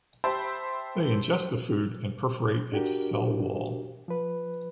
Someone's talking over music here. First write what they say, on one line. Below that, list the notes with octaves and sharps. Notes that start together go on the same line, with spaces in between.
They ingest the food and perforate its cell wall.
G4 C5 E5 A5 B5 C6
D4 F#4 G4 A#4
F3 B4